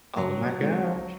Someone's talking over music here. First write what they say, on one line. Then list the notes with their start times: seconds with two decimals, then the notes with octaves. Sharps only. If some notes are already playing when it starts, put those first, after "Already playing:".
Oh my gosh,
0.16 C#3 F#3
0.61 G#3 C4 D#4